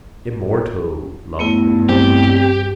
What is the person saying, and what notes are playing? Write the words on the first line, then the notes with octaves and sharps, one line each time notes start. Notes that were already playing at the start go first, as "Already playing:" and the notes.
Immortal lovely.
G2 A3 B3 E4
C4 G4